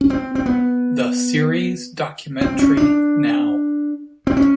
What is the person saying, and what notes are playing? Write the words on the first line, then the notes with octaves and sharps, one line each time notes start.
The series Documentary Now!
C#4
C4
C4
B3
C4
C#4
D4
C4
C#4